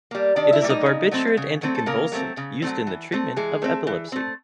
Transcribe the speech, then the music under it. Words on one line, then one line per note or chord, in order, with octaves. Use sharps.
It is a barbiturate anticonvulsant, used in the treatment of epilepsy.
G3 A#3
D#3 D4 D5
E4 E5
G3 A#3
D#4 D#5
C#3
F#3 A3 C4
C#3
F#3 A3 C4
A4
C#3 A#3 A#4
F#3 A3 C4
C#3
F#3 A3 C4
E3
A3 C4
E3 G#3 G#4
A3 C4
E3
A3 C4